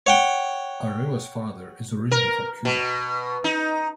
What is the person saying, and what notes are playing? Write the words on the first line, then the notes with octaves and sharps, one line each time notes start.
Arroyo's father is originally from Cuba.
C#5 F#5 G5
A#4
B2
D#4